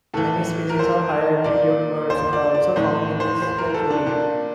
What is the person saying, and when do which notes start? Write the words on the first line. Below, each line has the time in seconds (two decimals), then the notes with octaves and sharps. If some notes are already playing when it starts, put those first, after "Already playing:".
Many species of high altitude birds are also found in this sanctuary.
0.14 A2 E3 A4
0.70 A#4
0.79 C5
1.44 A#2 D5
2.10 C5
2.33 D5
2.54 D5
2.76 A2 E3 C5
3.20 C5
3.42 C5
3.58 A#4
3.70 A#4
3.74 A4
3.90 D4
4.07 A#2 D4